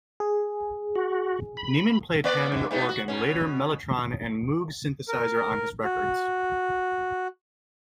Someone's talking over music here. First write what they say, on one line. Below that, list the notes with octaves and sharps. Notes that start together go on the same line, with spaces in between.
Niemen played Hammond organ, later mellotron and Moog synthesizer on his records.
G#4
F#4
B5
A#3 B3 D5
G2
G#2 B3 D#4
F#4
B2 C#4
A#4
F#4